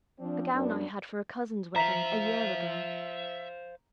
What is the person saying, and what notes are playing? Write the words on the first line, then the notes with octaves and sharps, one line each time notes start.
'A gown I had for a cousin's wedding, a year ago.
F3 C4 D4
F#2 B3 D4
C5 E5 F5 A#5 B6